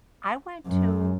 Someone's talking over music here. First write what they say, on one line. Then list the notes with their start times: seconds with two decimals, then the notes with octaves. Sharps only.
I went to
0.68 F#2